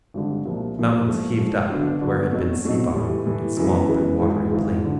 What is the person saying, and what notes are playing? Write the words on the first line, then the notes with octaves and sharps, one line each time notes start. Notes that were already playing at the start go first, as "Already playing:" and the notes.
Mountains heaved up where had been sea bottom and swamp and watery plain.
G#1 G2 D3
C2 A#2 F3 A#3
C2 A#2 F3 A#3
G#2 F3 A3
G#2 F3 A3
D3 F#3 B3 D4 F#4
D3 F#3 B3 D4 F#4
B2 F#3 A3 C4 D#4
B2 F#3 A3 C4 D#4
A2 E3 G3
A2 E3 G3
F#2 C#3 E3 G#3 B3
F#2 C#3 E3 G#3 B3
G#1 G#2 E3 G#3
G#1 G#2 E3 G#3
D3